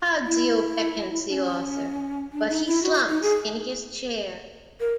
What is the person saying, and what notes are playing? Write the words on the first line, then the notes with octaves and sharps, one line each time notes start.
Tadzio beckons the author, but he slumps in his chair.
E4
D4
C#4
D4
D#4
E4
F#4
D#4
G#4
A#4